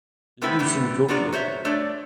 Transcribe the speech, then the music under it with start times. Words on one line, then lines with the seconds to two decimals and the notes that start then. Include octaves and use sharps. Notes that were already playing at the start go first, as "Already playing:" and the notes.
Lives in Brooklyn.
0.41 G#3 A3 B3 C4 E4 B4
0.59 D3 E3 G3 A3 B3
1.08 B3 D4 F4 F#4 D5 A#5
1.32 F#4 C5 C#5 E5
1.65 A3 D4 C#5 D5